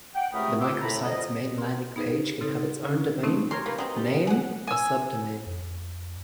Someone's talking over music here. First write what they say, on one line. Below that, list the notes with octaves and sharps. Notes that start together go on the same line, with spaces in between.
The microsite's main landing page can have its own domain name or subdomain.
F#5 G5
C#2 C3 A3 A#4 B5 D#6
D#2 C3 F4 G4 C5 E6
A2 A#5 B5
F2 F3 G3 D#5
C6
B3 D#4 G#4 B4 C5
C#3 C4 D#4 A4
C#4
C3 D#3 A3 C4 C#4 D#4
G4 A#4 C#5 C6
A#3 B4
F#3 C4 D#4 D#5
G3
G#4 F#5
G#5 E6
F2